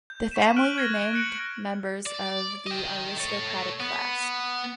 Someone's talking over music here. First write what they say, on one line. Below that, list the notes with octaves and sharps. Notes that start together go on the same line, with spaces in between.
The family remained members of the aristocratic class.
G6
C#6 B6 D#7 E7
F6 F#6 D7 F#7
C#6 F6 G#6 A#6
F#6 A#6 C#7 D7 F#7
D5
D#5 G5
A4 C#5
B3